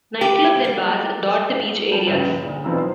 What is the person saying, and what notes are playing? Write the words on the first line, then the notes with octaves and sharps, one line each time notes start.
Nightclubs and bars dot the beach areas.
G4
G3
G3 A5
C#2 G2
A#1
D2
B1 E2 C4 F4 A#5 E6
C5